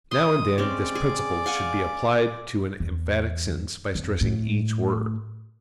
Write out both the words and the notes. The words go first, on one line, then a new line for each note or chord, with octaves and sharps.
Now and then this principle should be applied to an emphatic sentence by stressing each word.
C6 D#6
G#3 C4 C#4 D5
G#4
F5 F#5 G#5
E2
F2
A2